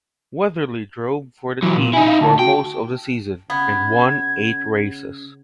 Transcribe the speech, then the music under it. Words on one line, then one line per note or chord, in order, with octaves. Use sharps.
Weatherly drove for the team for most of the season, and won eight races.
E3 F#3
A#2
D#4 E4 G#5
F5
D2 A5
F#4 G5
C#3 B3 G#6